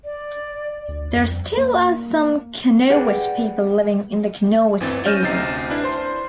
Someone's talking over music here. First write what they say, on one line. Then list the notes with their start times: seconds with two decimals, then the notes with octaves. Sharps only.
There still are some Kanowit people living in the Kanowit area.
0.05 D5
0.88 D2
1.14 F2
1.57 A#3
2.90 G4 G#4 B4 D5 F#5
4.80 G1 D2 E3 C4 A6
5.06 C#4 F6 G6 A#6 D#7 E7
5.23 D2 C3 D#4 A6 C7
5.70 D4 E4 B4
5.84 C5 C6